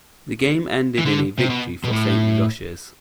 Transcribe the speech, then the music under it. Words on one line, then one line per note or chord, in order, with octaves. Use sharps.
The game ended in a victory for Saint Roch's.
E3
D3
C3
B2
B2
A2